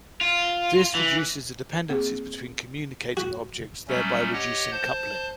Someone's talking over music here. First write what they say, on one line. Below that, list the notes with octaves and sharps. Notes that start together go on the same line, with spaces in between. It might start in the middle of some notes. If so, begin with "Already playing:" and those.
This reduces the dependencies between communicating objects, thereby reducing coupling.
F4
E3
A#3 C4 G#4
F#4
F#3 G3 A3 C#4
G4 C#5 D#5 F#5
C5 A5 G6